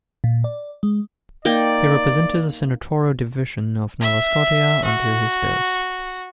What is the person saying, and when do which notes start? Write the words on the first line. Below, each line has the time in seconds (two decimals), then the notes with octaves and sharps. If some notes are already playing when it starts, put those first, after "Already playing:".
He represented the senatorial division of Nova Scotia until his death.
0.24 A#2
0.44 D5
0.83 G#3
1.45 A#3 D#4 D5 G5
4.01 E5
4.84 F#4